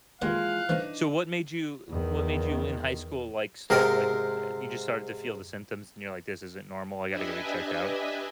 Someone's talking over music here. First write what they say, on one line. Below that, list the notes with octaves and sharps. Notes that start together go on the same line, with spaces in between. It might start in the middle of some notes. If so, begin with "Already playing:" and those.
So, what made you eh, what made you in high school, like, start, like, w the a you just started to feel the symptoms, and you're, like, "This isn't normal. I gotta go get checked out?"
D#2 E3 F3 G#3 G4 F5 F#5 F#6
E3 F3 A3 D4 D#4
E2 D#3
G#2 C3 A#4 D#5 G5
D4 G4 B4 D#5 E5 G#5